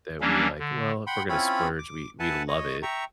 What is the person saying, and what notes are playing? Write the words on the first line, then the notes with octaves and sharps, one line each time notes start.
that we're like, "Well, if we're gonna splurge," we we love it,
E3 F#3 G3 A#3 C#4 D4
D3
F#5 G5 B5 C6
C4 C#4 E4 F4 C#5 B5
D6
B4 E5 F#5 G#5 A5
C#5 D#5
E5 G5 A#5 C#6